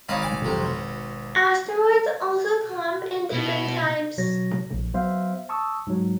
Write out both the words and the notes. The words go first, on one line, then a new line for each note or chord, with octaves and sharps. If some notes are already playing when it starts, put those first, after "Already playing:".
Asteroids also come in different types.
G#1 D#4 C#5 F5 B5
G#5 D6
F2 C3 F#3
B2
B2
B2 F#3 C#5 A#6
A#1
F#3 B3 C5 E5 F5
A5 C#6 D#6 E6
G#2 F#3